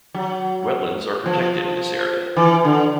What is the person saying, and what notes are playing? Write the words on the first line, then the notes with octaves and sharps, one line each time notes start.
Wetlands are protected in this area.
F#3
F3
E3
D3